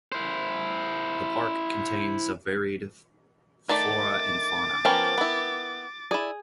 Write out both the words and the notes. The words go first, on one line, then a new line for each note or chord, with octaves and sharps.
The Park contains a varied flora and fauna.
E4 C5
D#3 A3 D5 D6 A6
F3 B3 C#4 A#4 G5
B3 E4
E4 G#4 D5